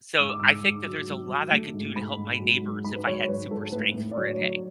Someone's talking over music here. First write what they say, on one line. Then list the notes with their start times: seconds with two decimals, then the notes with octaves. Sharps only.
so I think that there's a lot I could do to help my neighbors if I had super strength for a day.
0.19 G#2 E6
0.29 D6
0.40 G#2 E6
0.63 G#2
0.85 F#3
1.08 F#3
1.29 F#3
1.51 A3
1.73 G#2
1.95 G#2 B5
2.17 G#2
2.40 F#3
2.62 G#2
2.84 G#2 B5
2.96 B4
3.06 F#3 C#5
3.28 G#2 B4
3.51 G#2 A4
3.72 A2 B4
3.95 A2
4.11 D5
4.17 F#3 C#5
4.39 F#3